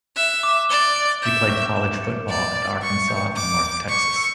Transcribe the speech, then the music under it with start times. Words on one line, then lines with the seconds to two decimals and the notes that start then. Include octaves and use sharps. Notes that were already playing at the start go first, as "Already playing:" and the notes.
He played college football at Arkansas and North Texas.
0.16 E5 F#6
0.43 D6
0.69 D5 G7
0.96 D7
1.23 E5 G6
1.49 C#6
1.76 E7
2.03 C#7
2.29 D5 D7
2.56 A6
2.82 C#6 B6
3.09 G6
3.35 D6 C#7
3.63 G6
3.88 C#6 B6
4.16 E6